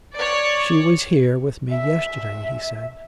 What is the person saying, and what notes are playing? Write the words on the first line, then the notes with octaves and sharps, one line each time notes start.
'She was here with me yesterday,' he said.
C#5 D5
E5